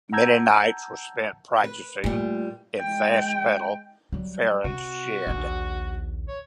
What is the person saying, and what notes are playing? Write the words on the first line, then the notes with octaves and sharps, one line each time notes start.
Many nights were spent practicing in "Fast Pedal" Farran's shed.
F#5 A5 A#5 E6 G6 G#6
B4
A#2 G3 A3
G#3 G5
F#3 G3
C3 F#4
A#1 D#2
C#5